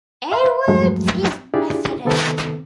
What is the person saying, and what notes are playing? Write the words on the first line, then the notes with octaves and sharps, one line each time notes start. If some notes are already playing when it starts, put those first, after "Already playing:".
Edwards is Methodist.
E5 F5 C6
E2 G2 F3 F#3 G#3 A3
D4 E4 F4 G4 G#4 D5
C3 D#3 B3 C4 A4